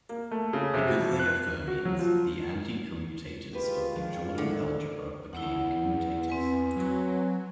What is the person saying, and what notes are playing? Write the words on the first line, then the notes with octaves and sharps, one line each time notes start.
Because they are fermions the anti-commutators of the Jordan algebra become commutators.
A#3
A3
C#3
C3
F#4
F2
F#6
F#4
F#3
F3
G#3 F4 G4 B4
G2 D#3 F3
A2 D3 D#3
E2 E4 F#5
C4 B4 G#5
F#3